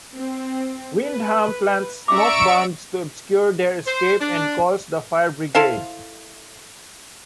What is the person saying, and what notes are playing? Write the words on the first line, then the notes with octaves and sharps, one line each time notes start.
Windham plants smoke bombs to obscure their escape and calls the fire brigade.
C4
B4
C#4 D5 E5 A#5 C#6 D6 E6 D7
C5
D4
E4 A4 C5 F5